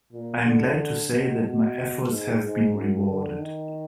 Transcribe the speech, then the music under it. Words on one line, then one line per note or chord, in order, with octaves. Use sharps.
I am glad to say that my efforts have been rewarded.
A#2
D3
B2
B2
G#2
G#2
F#2
D3
D#3